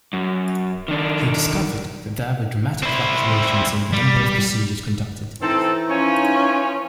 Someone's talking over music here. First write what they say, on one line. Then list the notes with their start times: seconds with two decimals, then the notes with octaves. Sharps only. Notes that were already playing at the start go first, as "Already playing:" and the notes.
He discovered that there were dramatic fluctuations in the number of procedures conducted.
0.13 F#2
0.88 D#3 D4
2.83 C4 E4
3.93 G3
5.41 E3 C4 D#4 A4
5.90 F3 C#4 C#5 G#5